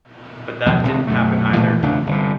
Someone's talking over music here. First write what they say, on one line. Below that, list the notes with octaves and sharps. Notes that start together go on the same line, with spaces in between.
But that didn't happen either.
D#2 B2 F3 G#3
G#1 D2 C3 G#3
B1 F#2 A3
A#2 E3 A3 A#3
E2 C#3 A3 D4
G1 C3